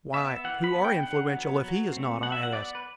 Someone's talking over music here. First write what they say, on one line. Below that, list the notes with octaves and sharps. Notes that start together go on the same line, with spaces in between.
"Why, who are influential if he is not?" I asked.
B3 E5
E3 F#5
B5
B3
G5
D3 F#5
F#3 B3
F#3
A3 C4
F#3 F#5
E5
F#5
B3 D5
B4